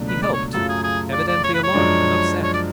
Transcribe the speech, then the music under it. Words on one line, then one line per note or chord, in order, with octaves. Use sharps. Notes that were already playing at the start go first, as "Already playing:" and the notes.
He helped, evidently alarmed and upset.
Already playing: C#2 B2 F#3 A3 D4
B4
D5
C#5
F#2 C#3 F#3 A3 F4 A4
G#4
G#4
D5
D5
C#5
B4
C#5
F#2 F3 G#3 D4
C#5
D5